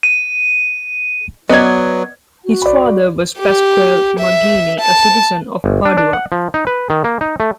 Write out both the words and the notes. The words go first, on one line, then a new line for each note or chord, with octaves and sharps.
His father was Pasquale Magini, a citizen of Padua.
D#7
F#3 B3 D5 D#5 G#6
F#4
D5 B5
G4
E5
A5
G1
D4
D4
F#5
F3
D#4
B4
D#3
A#3
D#4
A3